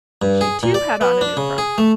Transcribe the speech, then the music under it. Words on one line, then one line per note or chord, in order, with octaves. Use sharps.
She, too, had on a new frock.
G2
G#4
A#2
D5
B3
D4
C#3
G#4
A3